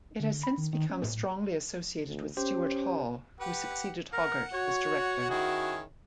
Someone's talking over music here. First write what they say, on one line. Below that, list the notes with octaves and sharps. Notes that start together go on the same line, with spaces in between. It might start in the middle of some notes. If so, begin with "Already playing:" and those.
It has since become strongly associated with Stuart Hall, who succeeded Hoggart as Director.
D3
B5
D#3
D#3
C#4
A2
D2
C#4 G4 C5
G4 B4 F#5
A#4 F#5
F#4 C#5
D#3 C#4 E4 G#4